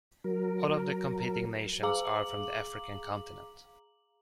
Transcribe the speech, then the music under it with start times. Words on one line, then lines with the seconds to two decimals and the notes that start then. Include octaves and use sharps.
All of the competing nations are from the African continent.
0.24 F#3 A#4
1.83 G#4 F5 A#5 D6 F#7